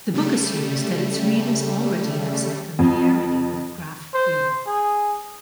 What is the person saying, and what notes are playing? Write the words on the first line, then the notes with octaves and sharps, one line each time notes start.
The book assumes that its readers already have some familiarity with graph theory.
C#3 G3 A3
F2
C5
G#4